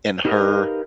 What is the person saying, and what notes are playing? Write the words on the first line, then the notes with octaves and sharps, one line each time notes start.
and her
D#4 G4 A#4 B4 D#5 F5